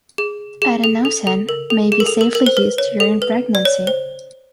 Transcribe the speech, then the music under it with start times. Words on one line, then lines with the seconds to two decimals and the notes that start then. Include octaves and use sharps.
Adenosine may be safely used during pregnancy.
0.18 G#4
0.62 G#4
0.84 A4
1.05 A4
1.27 A4
1.49 A#4
1.70 A4
1.92 G#4
2.00 A#4
2.07 A4
2.21 A#4
2.35 A#4
2.46 C5
2.57 B4
2.78 C#5
3.00 A4
3.22 B4
3.55 D5
3.65 C#5
3.87 C5